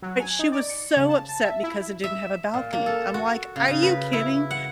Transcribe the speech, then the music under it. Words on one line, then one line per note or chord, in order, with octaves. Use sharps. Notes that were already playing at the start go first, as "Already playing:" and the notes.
but she was so upset because it didn't have a balcony. I'm like, "Are you kidding?"
F#3
G#5
D#4
D5
C#7
C#3
A5
A5
E5
E4
E5
A#2
A#3
A4
F#4
C#3
C#3
B4
E4
F#5